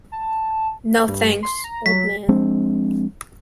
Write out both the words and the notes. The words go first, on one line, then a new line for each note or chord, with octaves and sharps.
No, thanks, old man.
A5
G2
C6
A#5
F#3 B6
F3 G#3 C4 D4